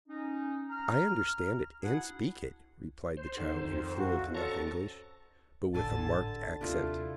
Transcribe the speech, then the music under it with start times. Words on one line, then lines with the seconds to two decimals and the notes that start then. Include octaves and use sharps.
"I understand it and speak it," replied the child in fluent enough English, but with a marked accent.
0.08 C#4 D#4
0.70 A#5 F6
1.83 D4 E4 F#4 G#4 F#5 A5
3.17 C5
3.37 D3 D#3
3.61 F2
3.97 F#4
4.34 C#4 A4 C5 A5 A#5 C#6
5.74 G#1 A2 D3 G#5 A5 E6
6.61 D#2 C3 A3 D4 E4 F4 G4